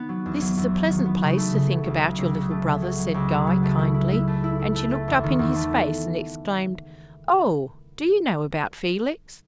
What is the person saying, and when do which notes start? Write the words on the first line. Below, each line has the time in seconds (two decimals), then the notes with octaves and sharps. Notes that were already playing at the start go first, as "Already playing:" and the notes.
'This is a pleasant place to think about your little brother,' said Guy, kindly; and she looked up in his face, and exclaimed, 'Oh! do you know about Felix?'
Already playing: D#3 B3
0.09 F#3
0.26 E2
0.42 F#3
0.57 E2
0.74 F#3
0.90 D#3
1.06 B3
1.23 C#3
1.38 A3
1.54 C#3
1.71 F#3
1.86 C#2
2.03 C#2
2.18 C#2
2.35 C#3
2.51 A3
2.66 C#3
2.82 F#3
2.99 F#3
3.14 C#2
3.31 C#3
3.47 F#3
3.63 A3
3.79 E4
3.94 E4
4.12 E4
4.28 A3
4.44 E4
4.59 E4
4.76 A3
4.91 A3
5.08 E2
5.24 D#3
5.39 E2
5.56 A3